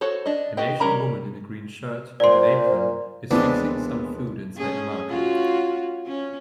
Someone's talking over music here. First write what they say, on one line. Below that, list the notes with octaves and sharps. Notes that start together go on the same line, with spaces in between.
An asian woman in a green shirt and an apron is fixing some food inside a market.
F#4 A4 C5 C#5
D4 D#5
F#4 G4 B4 D#5 G5
G3 C#4 A#4 A#5 B5
A#2 C5 D5 C6
D#2 E3 G#3 B3 C4 D4
A3 C#4 G#4
C#4 F4 F#4
C#4